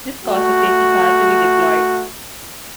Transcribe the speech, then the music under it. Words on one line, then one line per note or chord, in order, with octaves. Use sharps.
This caused the safety car to be deployed.
A3 F#4